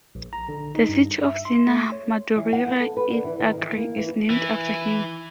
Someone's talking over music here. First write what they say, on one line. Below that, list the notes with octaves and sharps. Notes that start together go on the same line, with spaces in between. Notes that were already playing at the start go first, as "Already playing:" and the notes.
The city of Sena Madureira in Acre is named after him.
A#1
A#5
D3
D#4
G2
E5
C6
A3
C#5
E3
F#5
B3
A4
B4
D3
E3
D#3
E3
A#3
E3
E3